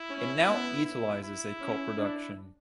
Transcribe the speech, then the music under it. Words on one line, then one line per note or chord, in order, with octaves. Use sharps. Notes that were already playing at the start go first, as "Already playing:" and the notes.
It now utilizes a co-production.
Already playing: E4
C#4
B3
E4
E4
C#4
D4